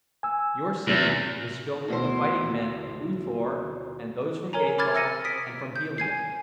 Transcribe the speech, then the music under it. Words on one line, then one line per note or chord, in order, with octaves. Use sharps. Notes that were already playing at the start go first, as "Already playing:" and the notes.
Your city is filled with the fighting men of U-Thor, and those from Gathol and from Helium.
G#5 E6
E2 A2 C3 G6
D2 B2 E4 C5
A#4 C#5 G#5 A#5
B5 D6 F6 G#6 A6
E6 F6 A6 A#6 C#7 D#7
D#6 B6 D7
G6
G#5 G#6 C7